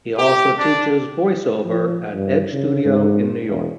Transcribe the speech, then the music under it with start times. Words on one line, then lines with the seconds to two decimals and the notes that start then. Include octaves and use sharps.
He also teaches voice-over at Edge Studio in New York.
0.17 G4
0.59 D4
1.65 F3
2.14 G2
2.53 C#3
2.85 G#2
3.48 E1